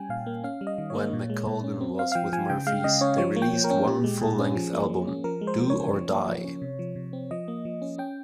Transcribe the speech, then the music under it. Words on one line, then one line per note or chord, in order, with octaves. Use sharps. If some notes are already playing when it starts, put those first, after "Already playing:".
While McColgan was with the Murphys, they released one full-length album, "Do or Die".
Already playing: G3 C#4 G5 G#5
A#2 F5
A#3
C#4 F5
G3
D#5
D#3
A#3 C#5
A#2
G#3
A#2
C#4
C4
C4 F5
F5
F3 G5
F3 G#5
C#3 G5
G#3 F5
C#3 D#5
C#4 C#5
F3 C#5
A#3
G5
F3
A#4
C#4
A#2 G4
G#3
A#2 G#4
C#4
F3
A#3
F3
C#4
F3 A#4
G#3
C5
F3
C#5
C#4
F3
A#3
F3
C#4
C3
F3
C3
C4
F3 D#5
A#3
F3
C#4
C#4 G5